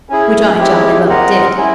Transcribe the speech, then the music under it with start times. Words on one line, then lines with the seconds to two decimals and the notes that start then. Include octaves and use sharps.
Which I jolly well did.
0.09 C#4 E4 G#4
0.59 G#3 C4 E4 G4
1.09 C4 F4 A#4 D#5 F#5
1.57 C#4 E4